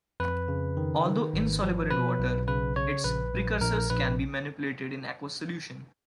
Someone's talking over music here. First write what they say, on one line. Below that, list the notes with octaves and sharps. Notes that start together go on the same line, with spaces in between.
Although insoluble in water, its precursors can be manipulated in aqueous solution.
F2 B4
C#3
D#3
D#3
G#1
F3
B2 B4
B1
C#3 B4
C#3 C#5
A#1 B4
A#1
A#1 A#4
A#1 B4